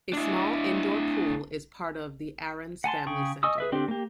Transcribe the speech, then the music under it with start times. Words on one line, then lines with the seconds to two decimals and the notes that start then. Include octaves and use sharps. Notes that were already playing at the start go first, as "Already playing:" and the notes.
A small indoor pool is part of the Ahrens Family Center.
0.13 D4 E4
2.84 F#5 G#5 A5 C6
3.07 C#3 G#4 G5 C#6
3.43 D#5 G#5 C#6 D#6 E6
3.58 G#4 B4 E5
3.72 D3 C4 D4 G4
3.88 A#3 G4